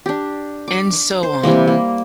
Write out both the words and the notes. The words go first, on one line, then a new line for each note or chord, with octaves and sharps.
And so on.
D4 G4
D6
C5
C3 E3 G3 A#3
A#3